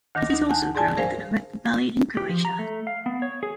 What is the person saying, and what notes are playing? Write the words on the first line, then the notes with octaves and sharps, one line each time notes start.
It is also grown in the Neretva valley in Croatia.
D2 D#3 D6 A#6
D4 D#4
F#5 G#5 A5 F#6 G6
G#2 G#4 D5 G#5 A5
G#4 A#4 C5 F5 G#5
G4
F3
A#5
A3
F5
B3
C#5
G#4